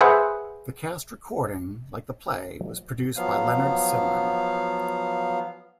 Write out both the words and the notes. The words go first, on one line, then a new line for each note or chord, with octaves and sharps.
The cast recording, like the play, was produced by Leonard Sillman.
G#4 B4 C5 E5 F#5
F3 F#3 B3 F5